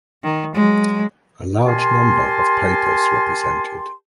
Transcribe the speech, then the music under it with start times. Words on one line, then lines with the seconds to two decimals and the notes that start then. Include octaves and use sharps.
A large number of papers were presented.
0.23 D#3
0.54 F#3 G#3
1.67 G4 A#4 G#5 A5 C6